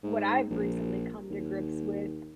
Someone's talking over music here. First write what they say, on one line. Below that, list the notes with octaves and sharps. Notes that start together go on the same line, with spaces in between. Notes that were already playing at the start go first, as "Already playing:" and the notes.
what I've recently come to grips with,
G#2
A#1
D#2